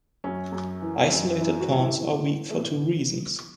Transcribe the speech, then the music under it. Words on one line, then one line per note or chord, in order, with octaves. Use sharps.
Isolated pawns are weak for two reasons.
F#2 C#4
F#2
E3
F#2
E3 E4
F#4
A2 C#4
E4
E3
E3
A3
A2 B3
E3